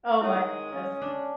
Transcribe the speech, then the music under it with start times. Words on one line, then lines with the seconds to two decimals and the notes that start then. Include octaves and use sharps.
Oh my ness.
0.21 D#3 G#3 E4 C#5 F#5 D#6
0.72 C#4
1.02 D4